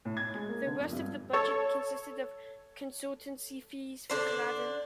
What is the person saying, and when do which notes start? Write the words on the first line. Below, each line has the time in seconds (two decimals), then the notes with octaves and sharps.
The rest of the budget consisted of consultancy fees for Gladden.
0.05 A2
0.17 G#6
0.34 G#3
0.49 A#3
0.66 D3
0.80 F2
0.92 G2
1.33 A4 C#5
4.10 D3 D4 C5